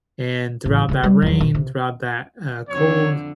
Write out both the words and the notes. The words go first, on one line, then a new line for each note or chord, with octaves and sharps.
And throughout that rain, throughout that, uh, cold,
A1
C#3 B3
G3
E2 F#3
B2
C3
F2 D3 C#5